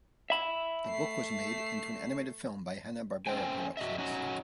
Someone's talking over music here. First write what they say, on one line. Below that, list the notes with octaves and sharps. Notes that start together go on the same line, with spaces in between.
The book was made into an animated film by Hanna-Barbera Productions.
E5 B5
A3 C7
A3 C#4 C5 G5 G#5
F#4 D#5 E5
C#4 D#4 F#4